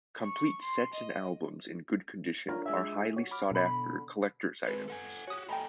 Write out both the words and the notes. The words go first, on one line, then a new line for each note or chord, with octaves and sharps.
Complete sets and albums in good condition are highly sought-after collectors' items.
C#6
C6
D#5
D4 F4 A#4 C#5
G#3 G#4 E5
F#4 C#5
B5 D6 F6
B2 D3 B5
G#3 C4 G#4 B4
A4 F#5 G#5
F#4 G4 C#5 D#6
A4 D#5 G5 G#5 A#5 B5